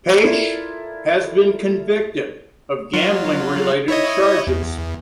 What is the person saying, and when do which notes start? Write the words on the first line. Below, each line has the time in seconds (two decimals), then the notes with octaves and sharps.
Paetsch has been convicted of gambling-related charges.
0.23 E4 F4 A4 A#4 D5
2.93 F#3 F4
3.88 E4 C#5 D#5
4.47 E2